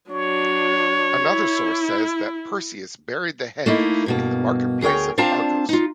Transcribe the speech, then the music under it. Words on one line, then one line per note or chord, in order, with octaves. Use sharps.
Another source says that Perseus buried the head in the marketplace of Argos.
F#3 D4 C#5
E4
A3 A#3 D#4 E4
G2 B2 A#3
D2 G#4 A#4 C#5 G5
C4 D4 F4 F5 A5 A#5
D#4 F4